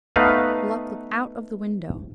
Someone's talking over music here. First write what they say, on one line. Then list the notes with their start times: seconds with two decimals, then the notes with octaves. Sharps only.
Gluck looked out of the window.
0.16 A3 B3 D#4 B4 F5